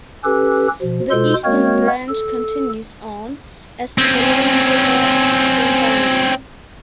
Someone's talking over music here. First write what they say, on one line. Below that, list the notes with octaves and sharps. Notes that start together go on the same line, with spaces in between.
The eastern branch continues on as the Balonne River through Dirranbandi.
C#4 G4 A4 B4
B2 F3
B2 G#3 F4 A4 C5 C6
G#3 A#3 C4 F#4 A#4 C#5
A4
C4 C#4